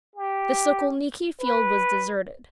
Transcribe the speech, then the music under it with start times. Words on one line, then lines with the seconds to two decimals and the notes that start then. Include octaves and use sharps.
The Sokolniki field was deserted.
0.16 G4
1.40 B4